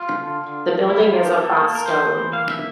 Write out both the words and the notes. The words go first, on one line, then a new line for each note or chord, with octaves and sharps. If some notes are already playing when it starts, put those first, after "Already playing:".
The building is of Bath Stone.
Already playing: F4
D3
D3
F3
A#3 E4
E4
A#3 F4
G4
A#3 A4
A#3
A#4
E3 C5
E3
A#3 F5
E5